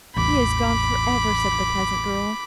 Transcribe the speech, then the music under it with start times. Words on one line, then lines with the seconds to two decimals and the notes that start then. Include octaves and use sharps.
"He is gone forever," said the peasant girl.
0.16 A1 E2 B5 D6